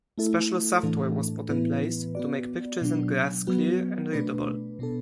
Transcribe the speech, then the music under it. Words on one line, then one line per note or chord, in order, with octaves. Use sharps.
Special software was put in place to make pictures and graphs clear and readable.
A3 E4 A4
A2 E3 A3 D4 A4
A2 E3 B3 E4 B4
B3 F#4 D5
B2 F#3 D4
F#3 B3 F#4
B2 A3 D4 B4
B2 B3 D4 A4